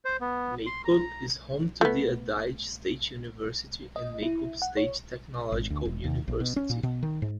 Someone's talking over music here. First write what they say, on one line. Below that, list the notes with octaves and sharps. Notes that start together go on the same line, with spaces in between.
Maykop is home to the Adyghe State University and Maykop State Technological University.
C5
B3
C6
A#5
A3 B3
D#5
E4
F#5
C#5
G#1
D2
E1
D#2
A#1
B2
C#4
A#2
B2
D#3
G#2